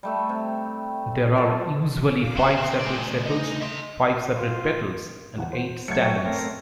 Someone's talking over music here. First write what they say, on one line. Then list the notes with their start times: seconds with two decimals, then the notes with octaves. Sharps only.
There are usually five separate sepals, five separate petals and eight stamens.
0.03 G3 A3 E5
0.29 C3
1.36 F#3 F4 A4
2.23 F5 D6
2.37 C3 B3 F#4 C5 G5 C6
2.57 D3 C4 C#4
2.80 C#3 G#3 A3 D5
3.26 G#3 D#4 D#5
3.62 E5 C6
4.35 F4
5.38 E2 F#5
5.53 C5
5.88 F#3 A3 G#6 C#7
6.02 C#5 E5 G5
6.26 A3 C4 A#4